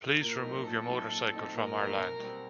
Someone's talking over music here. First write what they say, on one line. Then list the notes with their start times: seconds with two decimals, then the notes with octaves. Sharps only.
Please remove your motorcycle from our land.
0.20 A#2 A#4
0.42 F#3 A3 C4 D#4
0.64 A#2 A4
0.87 F#3 A3 C4 D#4
1.09 A#2
1.31 F#3 A3 C4 D#4
1.53 A#2 A#4
1.75 F#3 A3 C4 D#4
1.98 B2
2.19 G3 C4